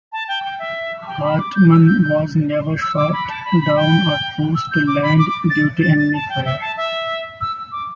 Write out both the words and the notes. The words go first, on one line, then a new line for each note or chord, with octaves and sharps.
Hartmann was never shot down or forced to land due to enemy fire.
A5
G5
G5
E5
G5
B5
D6
G6
E6
G6
G6
E6
D6
B5
A5
B5
B5
G5
E6
G6
D6
B5
D6
D6
A6
A6
A6
A5
G5
E5
A5
E5
E6
D6